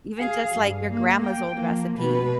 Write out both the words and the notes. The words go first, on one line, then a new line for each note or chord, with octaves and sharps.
Even just, like, your grandma's old recipe.
G#4 F5
G2
A#3
G5
F3 A#3
B2 B4